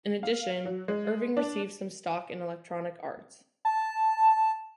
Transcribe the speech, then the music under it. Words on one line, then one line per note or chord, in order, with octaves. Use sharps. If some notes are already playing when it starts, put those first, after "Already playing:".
In addition, Erving received some stock in Electronic Arts.
F5
F#3
G#3
D4
A5